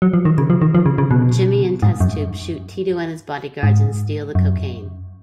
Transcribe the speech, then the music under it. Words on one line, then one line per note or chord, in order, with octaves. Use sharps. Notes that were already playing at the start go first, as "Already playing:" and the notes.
Jimmy and Test Tube shoot Tito and his bodyguards and steal the cocaine.
F#3
F3
D#3
C#3
F3
D#3
F3
C#3
C#3
B2
G#2
F#2
G#2
F#2